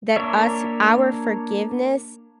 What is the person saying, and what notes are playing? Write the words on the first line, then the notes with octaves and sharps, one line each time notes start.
that us our forgiveness
A#3 D4 A#4 C#5 E5